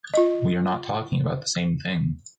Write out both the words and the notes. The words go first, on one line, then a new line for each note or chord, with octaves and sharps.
We are not talking about the same thing.
F4 D#5